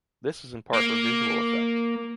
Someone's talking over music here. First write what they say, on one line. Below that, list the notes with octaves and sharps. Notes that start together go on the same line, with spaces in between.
This is in part for visual effect.
A#3